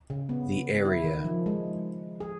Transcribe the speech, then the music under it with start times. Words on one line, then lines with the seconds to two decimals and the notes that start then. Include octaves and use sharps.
The area.
0.10 C#3
0.29 B3
0.85 E4
1.04 D#3
1.25 F3
1.46 G#3
2.20 G#4